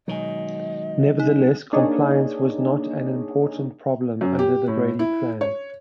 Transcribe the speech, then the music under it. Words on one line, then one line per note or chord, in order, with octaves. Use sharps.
Nevertheless, compliance was not an important problem under the Brady Plan.
B2 D#3 F#3 G#3 D#5
D#4
A#3 D4 D#4 G#4 C#5 D#5
F#2
G4
A2
E4
C#5